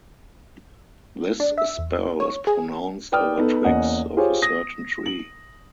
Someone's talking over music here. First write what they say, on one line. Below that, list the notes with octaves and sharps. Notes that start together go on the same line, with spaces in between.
This spell is pronounced over twigs of a certain tree.
D4
E5
E2
C#5
G#4
B4 D5 G5 D#6 F6
B3 D#4 A4
E2 A#3 C#4 D#5 F#5 G#5
F4 G4 G#4 C5 C#5
D#6 A#6
F#7